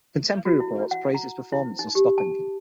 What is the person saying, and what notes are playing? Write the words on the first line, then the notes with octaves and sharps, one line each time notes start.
Contemporary reports praised its performance and stopping.
F#4
E4
F#5
A#5
E4
D#4
G4
A5